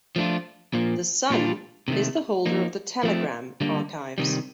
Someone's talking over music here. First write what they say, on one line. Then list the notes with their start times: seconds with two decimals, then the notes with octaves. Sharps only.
The "Sun" is the holder of the "Telegram" archives.
0.16 F3 A3 D4 F4
0.73 A#2 F3 A#3
1.30 A#2 G3 D4 F4
1.88 C3 D#3 A3
2.46 F3 A#3 D#4
3.03 F3 A3 C4
3.61 D3 G3 A#3
4.18 C3 D#3 G3